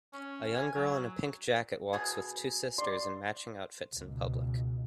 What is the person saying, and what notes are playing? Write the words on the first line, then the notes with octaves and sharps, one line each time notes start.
A young girl in a pink jacket walks with two sisters in matching outfits in public.
C#4
G#5
F#3
B2 G#4
D5 C6
C#2 B2